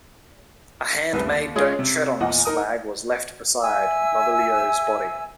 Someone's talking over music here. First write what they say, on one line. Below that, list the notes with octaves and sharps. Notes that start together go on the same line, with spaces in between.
A handmade "Don't Tread on Us" flag was left beside Mobilio's body.
F1 C2 B4
D#2
G#3 C#4 F4 G#4 C#5
C3
E2 A#2 D#5 F#5
D#4 A#4 D#6
E5 G#5 E6